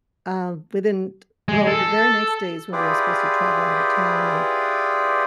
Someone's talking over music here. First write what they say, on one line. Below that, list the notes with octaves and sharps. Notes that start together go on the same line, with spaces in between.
uh, within t well, the very next day is when we were supposed to travel out of town, and
G#3
A4
E4 F4 G4 G#4 B4 D5